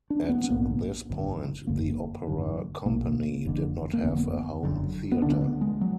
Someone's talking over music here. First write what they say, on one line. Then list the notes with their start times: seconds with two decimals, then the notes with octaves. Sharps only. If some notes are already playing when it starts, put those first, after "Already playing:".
At this point the opera company did not have a home theatre.
0.10 D4
0.24 D4
0.29 B3
0.44 B3
0.49 A#1 G#2 A#3
1.09 G#1 F#2 D3
1.67 F#1 F#2 D3 A#3
2.27 G#1 F#2 D3
2.86 B1 B2 A#3
3.45 F1 F2 D3
3.93 A#3
4.03 F#1 F2 D3 B3
4.63 F#1 F#2 D3
5.12 B3
5.22 D2 D3 D4
5.36 A#3
5.42 B3
5.61 G#3
5.81 F#3